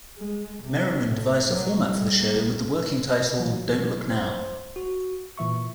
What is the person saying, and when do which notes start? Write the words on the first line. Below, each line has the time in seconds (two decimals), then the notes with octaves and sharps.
Merriman devised a format for the show with the working title "Don't Look Now".
0.18 G#3
0.63 C3
1.09 A2
1.48 F#3
1.80 G3
2.16 A#3
3.40 E3 F#3
4.10 C5
4.76 F#4
5.38 A#2 E3 E5 C#6